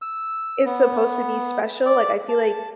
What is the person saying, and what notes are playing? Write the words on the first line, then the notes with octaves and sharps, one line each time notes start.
it's supposed to be special, like, I feel like
E6
B3
D5
A5